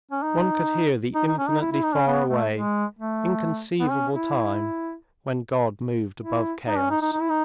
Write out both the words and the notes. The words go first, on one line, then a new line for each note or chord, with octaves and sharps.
One could hear the infinitely faraway, inconceivable time when God moved above chaos.
C#4
D#4
D#4
D#4
C#4
D#4
E4
E4
D#4
C#4
B3
A3
G#3
A3
B3
C#4
E4
E4
D#4
C#4
D#4
D#4
D#4
E4
D#4